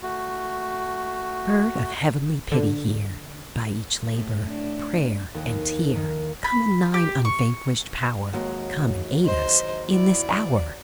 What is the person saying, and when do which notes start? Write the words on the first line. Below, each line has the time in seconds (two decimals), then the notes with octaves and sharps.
"Bird of heavenly pity here, By each labour, prayer and tear, Come in thine unvanquished power, Come and aid us in this hour!"
0.03 A3 F#4
2.52 D3
4.13 A2
4.48 D4
5.34 D#2
5.95 D#3
6.44 B5
6.94 G4
7.25 C#6
8.33 D#2 F#3 G#3
9.25 C5 D#5
9.90 E4 D5